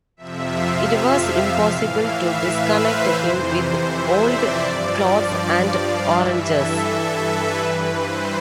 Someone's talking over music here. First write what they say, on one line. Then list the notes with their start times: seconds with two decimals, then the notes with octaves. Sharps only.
It was impossible to disconnect him with old clothes, and oranges.
0.17 F2 C3 F3 E5
0.55 F5
0.91 F5
1.28 F5
1.65 A2 E3
2.02 E5
2.40 B4
2.77 C5
3.13 F2 C3 E3
3.88 E5
4.25 D5
4.62 G2 F3
5.74 F5
6.11 G2 E3 E5
6.47 A4
6.84 A4
7.22 B4
7.59 G2 E3
7.96 C5